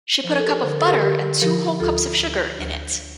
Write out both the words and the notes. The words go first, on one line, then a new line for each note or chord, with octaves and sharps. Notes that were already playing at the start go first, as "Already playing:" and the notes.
She put a cup of butter and two whole cups of sugar in it.
F3 C5
A#4
A4
G4 A#4
D3 C5
A#4
A4
G4 A#4
D3 G4 A#4
F3 G4 A#4
D2 F4 A4
D2
D2